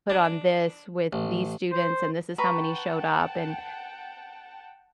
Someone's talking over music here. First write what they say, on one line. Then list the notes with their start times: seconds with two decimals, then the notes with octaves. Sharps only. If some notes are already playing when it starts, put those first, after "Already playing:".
"put on this with these students, and this is how many showed up, and,"
0.10 D4
1.13 A1
1.72 C5
2.38 B4 F#5 G5 A5 A#5 C#6